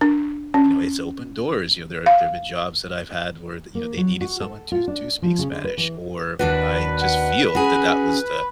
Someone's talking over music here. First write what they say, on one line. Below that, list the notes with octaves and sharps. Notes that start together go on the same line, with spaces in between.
you know, it's opened doors. You know, there there have been jobs that I've had where the, you know, they needed someone to to speak Spanish. Or I just feel that that was the
D4
C#4
F5
A#3
F#3
F#4
A4
F4
D4
F3
C#3
D3
B4
E3
D#2 D4 F#4 B4
F#5
C#4 F#4 G#4